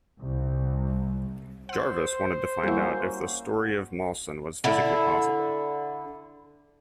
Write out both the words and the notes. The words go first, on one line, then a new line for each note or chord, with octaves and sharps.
Jarvis wanted to find out if the story of Mawson was physically possible.
C2
C5 F#5 E6
G3 A#3 C#4 E4 F#4
D3 E4